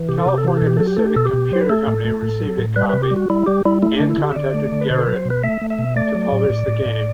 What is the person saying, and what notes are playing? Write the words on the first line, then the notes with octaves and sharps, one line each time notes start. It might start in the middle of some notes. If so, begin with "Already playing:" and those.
California Pacific Computer Company received a copy, and contacted Garriott to publish the game.
Already playing: E3
C3 G4
A4
C3 G4
A4
E3 G4
B2 A4
G4
F#3 A4
G4
A3 A4
G4
B2 A4
G4
B2
F#3 C5
B4
A3 A4
A2
A3
A2
F#3
A2
G3 B4
C3 B4
G4
G3
F#4
G3 E4
G3 G4
G3 E4
A3 E4
D3 D4
E4
D3
G4
E5
D3 D5
A3
D3
B4
B2 C5
A4
F#3 B4
C5
B2 B4
A3 E5
A3
E5
B2
A3 D5
F#3
A2
A2
A2
A2